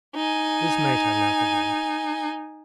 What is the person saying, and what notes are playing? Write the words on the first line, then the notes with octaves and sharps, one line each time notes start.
This made her laugh again.
D#4 G#5